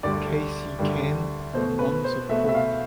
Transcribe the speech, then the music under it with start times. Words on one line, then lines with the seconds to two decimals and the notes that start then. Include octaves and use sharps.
Kasey Kahne won the pole.
0.03 D2 D3 G3 D5
0.79 D2 D3 G3
1.54 B2 A3 C5
1.79 B4
2.04 C5
2.29 B2 A3 E5
2.49 E5
2.55 F5